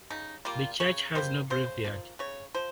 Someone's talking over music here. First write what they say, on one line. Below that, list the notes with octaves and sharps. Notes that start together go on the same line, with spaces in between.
The church has no graveyard.
C#3 D#4
G3 A#3 F4
C#3 C#5
G3 A#3 C5
C#3 C5
F3 A#3
C#3 C#5
F3 C5